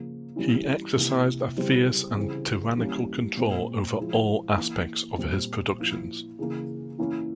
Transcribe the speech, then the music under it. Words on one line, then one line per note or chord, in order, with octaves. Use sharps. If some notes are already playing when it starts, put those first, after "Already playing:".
He exercised a fierce and tyrannical control over all aspects of his productions.
Already playing: C#3 F3 A#3
E3 G3 C#4 E4
C3 E3 A#3 E4
C#3 G3 C4 E4
C#3 E3 G3 C4 E4
E3 G3 A#3 C#4 E4
A#2 G#3 C4
F3 G#3 E4
E3 A#3 E4
A#2 G3 C4
F3 A#3 E4
C#3 E3 A#3
E3 A#3 C#4 E4